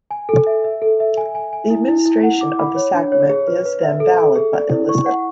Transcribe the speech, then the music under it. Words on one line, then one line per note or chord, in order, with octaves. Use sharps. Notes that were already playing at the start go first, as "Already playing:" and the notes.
The administration of the sacrament is then valid but illicit.
G#5
A4
E5
E5
A4
E5
G#5
G#5
G#5
E4
E4
E4
F#5
D6
B5
C#5
D4
C#5
G#4
B4
B4
E5
A4
A4
G#4
D5
E4
C#6
F#5